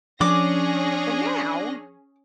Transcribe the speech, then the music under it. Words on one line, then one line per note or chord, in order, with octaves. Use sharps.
but now,
F3 C#4 D4 G#4 D6 A#6